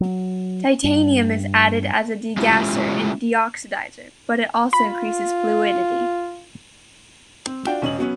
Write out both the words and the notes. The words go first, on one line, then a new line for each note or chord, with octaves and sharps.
Titanium is added as a degasser and deoxidizer, but it also increases fluidity.
F#3
G2
G#3 C#4 E4 F4 G4
F4 B5
C4
D4 F4 F#4 G5
E1 C#4 D#5 F#7
F#3 B3 C#4